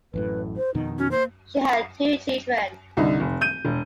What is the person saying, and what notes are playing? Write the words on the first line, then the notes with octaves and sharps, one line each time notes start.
She had two children.
A1 F#2 A2 B4
C5
F2 B2 D#3 D#4
C#4 F#4
A#3 C5
C2 D3 D#4
F1
G6 D#7
E1